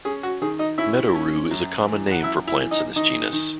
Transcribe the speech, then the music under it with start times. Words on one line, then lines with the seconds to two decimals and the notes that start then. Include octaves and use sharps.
Meadow-rue is a common name for plants in this genus.
0.05 C#4 G#4
0.23 F#4
0.42 D#3 G#4
0.59 D#4 D#5
0.78 C#4 E4 E5
1.15 C#4
1.51 F#2
1.87 E3
2.11 F#5
2.23 F#2 E4 E5
2.47 E4 E5
2.60 E3
2.71 D#4 D#5
2.96 D#3 D#4 D#5
3.33 D#3